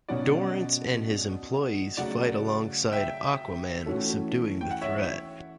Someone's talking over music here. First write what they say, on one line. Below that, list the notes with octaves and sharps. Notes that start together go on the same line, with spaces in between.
Dorrance and his employees fight alongside Aquaman, subduing the threat.
B2 F#3 C#4 F#4 D5 F#5
C#3 F#3 A3 D5 F#5
E5 G5
E3 A3 C#4 F#4 A4
G5
F#5
C#5 E5